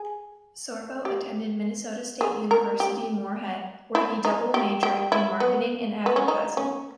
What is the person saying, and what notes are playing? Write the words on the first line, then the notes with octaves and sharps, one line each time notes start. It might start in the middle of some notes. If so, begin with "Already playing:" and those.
Sorbo attended Minnesota State University Moorhead, where he double majored in marketing and advertising.
Already playing: G#4
G4
G#4
A#4
G4
E4
D#4
G4
G4
E4
B3
B3
C#4
D#4
C#4